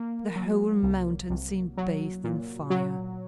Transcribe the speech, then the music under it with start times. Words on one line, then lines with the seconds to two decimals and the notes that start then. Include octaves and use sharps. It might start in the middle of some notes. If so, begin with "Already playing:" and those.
The whole mountain seemed bathed in fire.
Already playing: A#3
0.36 F#3
0.83 C2
1.30 C2
1.77 F#3
2.24 A#2
2.70 F#3